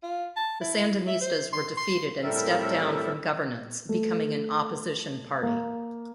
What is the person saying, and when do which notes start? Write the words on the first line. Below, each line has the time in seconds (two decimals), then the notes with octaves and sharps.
The Sandinistas were defeated and stepped down from governance, becoming an opposition party.
0.03 F4
0.36 A5
0.61 E4
1.07 E5
1.21 C5
1.53 C6
1.77 C6
2.23 A2 G3 C4 A4 A#4 E5
3.89 A3
5.43 A#3